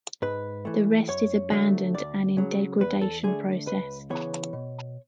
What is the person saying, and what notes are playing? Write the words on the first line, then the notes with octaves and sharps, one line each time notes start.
The rest is abandoned and in degradation process.
G#2 B4
E3 A3
F#2 C#5
D3 F#3 A3
D2 D5
C#3 F#3
E2 B4
A4
D3 A3 G#4
C#2 B4
C#3 E3 B3 C#5
B2